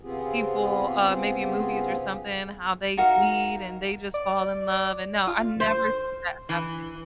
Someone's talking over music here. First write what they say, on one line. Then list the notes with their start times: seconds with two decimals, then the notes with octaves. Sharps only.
people, uh, maybe in movies or something, how they meet and they just fall in love, and, no, I never see that happening.
0.01 C#3 B3 C4 F4 G4 G#4
2.97 D#4 F#4 A#4 F5
4.14 D5
5.27 F4
5.60 C5
6.49 E3